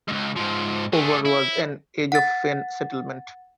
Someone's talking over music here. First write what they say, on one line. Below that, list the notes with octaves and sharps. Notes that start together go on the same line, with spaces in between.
Over was an edge-of-fen settlement.
C#2 G#2
G#2 F3
A3 G#4
E4
F#5 A6